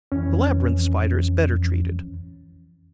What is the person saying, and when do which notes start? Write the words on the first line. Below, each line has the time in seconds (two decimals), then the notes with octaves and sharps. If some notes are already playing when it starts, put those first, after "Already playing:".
The Labyrinth Spider is better treated.
0.12 F2 E3 C#4